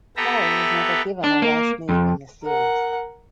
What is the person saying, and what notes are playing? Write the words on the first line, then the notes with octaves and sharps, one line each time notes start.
Polly was never given a last name in the series.
B3 G4 A4 B4 E5 A#5
D4
A#3
F2
A#4 F#5